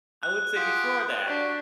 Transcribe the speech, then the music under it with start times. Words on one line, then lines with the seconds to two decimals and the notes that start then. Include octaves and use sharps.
I would say before that,
0.23 F#6
0.56 F4 G4 G#4 F#5
1.26 D4 F#4 G4